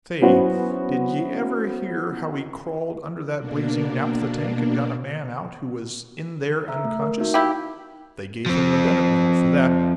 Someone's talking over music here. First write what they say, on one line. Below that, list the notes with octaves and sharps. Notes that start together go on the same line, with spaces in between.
Say, did ye ever hear how he crawled under that blazing naphtha tank and got a man out who was in there unconscious? They gave him the Bennett medal for that.
F#3 B3 C#4 E4 F#4 C5
B2 A#3 D4
E5 A#5 E6
A3
A#4
D#4 F#4 E5
E4 G4 F5
F3 C4